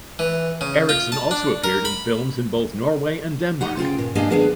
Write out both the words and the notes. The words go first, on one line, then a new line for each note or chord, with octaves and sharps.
Eriksen also appeared in films in both Norway and Denmark.
E3
C#3
F4
A5
D4
A#4
B5
D#4 G4 F#5
D2 C#3 F4 G5
A#2
A#3 D4 G4 D#5 F5 G#5
D#3 B3 D4 G#4